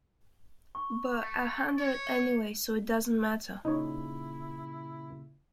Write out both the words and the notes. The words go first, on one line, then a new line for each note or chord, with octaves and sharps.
But I'll handle it anyway, so it doesn't matter.
C#6
A3
C#5
A#2 C#3 D#4 E4 C#5